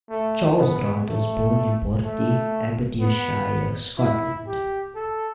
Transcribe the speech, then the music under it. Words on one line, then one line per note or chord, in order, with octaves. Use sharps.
Charles Grant was born in Bourtie, Aberdeenshire, Scotland.
A3
B3
A3
A3
B3
E4
G4
A4